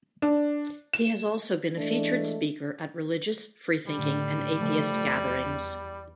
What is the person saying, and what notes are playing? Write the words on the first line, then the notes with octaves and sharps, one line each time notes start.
He has also been a featured speaker at religious, freethinking, and atheist gatherings.
D4
E7
E3 G#3 A3 D4
A2 D3 G3
C#3 F3 A3
E2